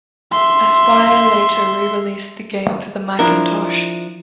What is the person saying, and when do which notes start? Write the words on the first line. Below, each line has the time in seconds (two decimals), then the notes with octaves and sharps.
Aspyr later re-released the game for the Macintosh.
0.32 E5 C6
3.19 F3 D4 E4 A#4